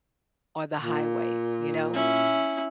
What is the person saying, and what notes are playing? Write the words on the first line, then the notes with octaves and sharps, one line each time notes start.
or the highway, you know?
A#2
C#4 E4